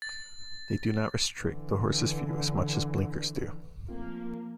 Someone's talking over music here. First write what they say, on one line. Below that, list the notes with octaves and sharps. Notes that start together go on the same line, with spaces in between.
They do not restrict the horse's view as much as blinkers do.
A6
D3 E3
F3 A3 A#3 C4 F4